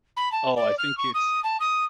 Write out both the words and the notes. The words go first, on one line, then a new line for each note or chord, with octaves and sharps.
Oh, I think it's
B5
A5
D5
F6
C#6
D#6
A5
D#6